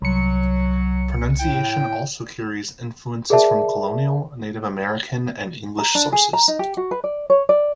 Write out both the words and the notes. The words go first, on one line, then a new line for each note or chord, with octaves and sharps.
Pronunciation also carries influences from colonial, Native American, and English sources.
C2 F#3 C#7
A2 E4 G5
G#4 A#4 D5 E5 A5
A#5
D4
G#4
A#5
D#4
G4
F#4
B4
D5
C#5
D5